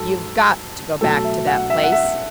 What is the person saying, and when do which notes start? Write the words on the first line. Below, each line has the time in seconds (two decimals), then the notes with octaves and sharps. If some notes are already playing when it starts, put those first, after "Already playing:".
"You've GOT to go back to that place?"
Already playing: G#2 F#3 A4
1.01 B2 F#3 A3 A4
1.24 E5
1.47 F#5
1.70 E5
1.83 F#5
1.92 E5